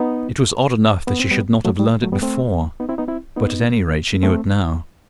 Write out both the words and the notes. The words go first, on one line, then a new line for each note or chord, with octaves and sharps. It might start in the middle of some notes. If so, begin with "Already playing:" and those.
It was odd enough that she should not have learned it before, but at any rate she knew it now.
Already playing: B3 D#4
B3
C4
G3 B3
F#3 A3
G3
F#3 A3
G3 B3
A3 C4
B3 D#4
C4 E4
B3 D#4
C4 E4
B3 D#4
A3 C4